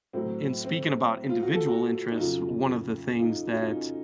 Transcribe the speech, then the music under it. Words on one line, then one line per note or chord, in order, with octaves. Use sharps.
in speaking about individual interests, one of the things that
A2 F#3 C4
C4
F4
F#4
A4
F#4
D#4
F2 C#3 F#3 F4
F4
D#4
F#4
F4
D#4
C#4